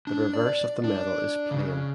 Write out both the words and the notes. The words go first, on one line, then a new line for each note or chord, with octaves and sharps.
The reverse of the medal is plain.
D4
D5
D4
C#3